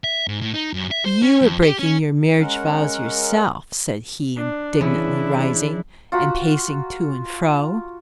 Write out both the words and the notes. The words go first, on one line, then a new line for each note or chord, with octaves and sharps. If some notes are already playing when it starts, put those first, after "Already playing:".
'You are breaking your marriage vows yourself,' said he, indignantly rising and pacing to and fro.
E5
G#2
A2
D#4
F#2
E5
C5
C#4
F2
G4
C#4
G#3 C#4 A#4 F#5
D4
C#3 E3 D4 E4
F4 F#4 A#5 B5